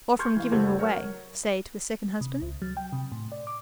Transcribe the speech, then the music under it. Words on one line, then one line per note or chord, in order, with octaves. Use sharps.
"Or from giving them away,--say to a second husband."
C6 C#6 F6 G6 G#6
E3 F5
F#1 A3 F#4 G4 C5 G#6
F#3 A#4 C#5
C3
C#2
F#3
G5
C3
A2
D5
D6